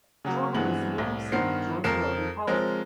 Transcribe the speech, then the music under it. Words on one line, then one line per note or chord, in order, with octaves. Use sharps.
Jordan was the namesake of Jordan Road in Kowloon.
C#3 F#3 A#3
G2 E3 G#3 B3 C4 F#7
C2 A2
G2 D#3 B3 A#4 C5 C7
F2 F3 A#4 C7 E7
F3 G#3 C4 G#4 A#4 C#5